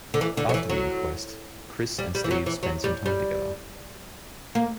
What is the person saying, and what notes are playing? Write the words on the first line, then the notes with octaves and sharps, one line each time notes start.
After the inquest Chris and Steve spend some time together.
D3
E3
D3
F#3
E3
F#3
G3
G3
E3
F#3
E3
F#3
G3
G3
A#3